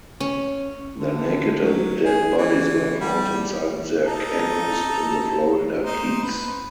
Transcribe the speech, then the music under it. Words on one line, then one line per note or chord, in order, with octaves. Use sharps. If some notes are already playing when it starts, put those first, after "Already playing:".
Their naked and dead bodies were found inside their canoes in the Florida Keys.
C#4
D3
F#3
G#4
E3
G3
D#4 A4 A#5
D#4 C5
B4